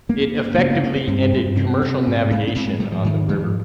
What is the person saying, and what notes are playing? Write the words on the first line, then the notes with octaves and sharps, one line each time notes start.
It effectively ended commercial navigation on the river.
G2 A#3
G2
G#3
C#3 A#3
A#3
C#3 A#3
C4
G2
G2
C3 C4
C3
G#2
G#2
C#4
G#2 C4
G#3
G#2 G3
F3
G#2 D#3
G#2 F3